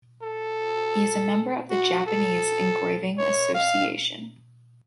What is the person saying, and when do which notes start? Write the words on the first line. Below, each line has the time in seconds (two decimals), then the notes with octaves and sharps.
He is a member of the Japanese Engraving Association.
0.23 A4
1.70 F#4
2.07 A4
3.18 C#5
3.54 F5